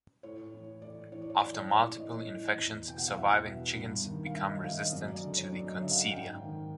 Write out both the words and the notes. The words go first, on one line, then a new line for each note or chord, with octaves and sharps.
After multiple infections, surviving chickens become resistant to the coccidia.
A2 C#5
E3
A2 D5
E3 C#5
D5
C#5
A2 D5
C#5
E3 C#5
D5
A2 D#5
E3
E2
B2 G5
F#5
F5
E2 E5
B2
G2
D#3
F5
G2 E5
D#5
D#3 F5
D#5
D#5
F#2 D5
D5
D3
C#5
F#2 D5
D#5
D3 E5
F5
F#5
G#2 G5
D#3